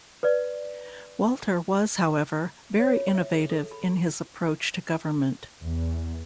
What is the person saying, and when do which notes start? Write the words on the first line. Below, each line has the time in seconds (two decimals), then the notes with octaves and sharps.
Walter was, however, very innovative in his approach to government.
0.23 B4 D5
2.79 C#5
2.96 F4
3.15 E5
3.33 G#4
3.50 A4
3.71 B5
5.62 E2